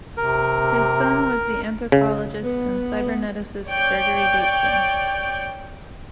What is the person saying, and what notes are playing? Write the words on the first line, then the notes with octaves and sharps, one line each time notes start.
His son was the anthropologist and cyberneticist Gregory Bateson.
C3 A#4
C#3
B3
C#5 D5 G5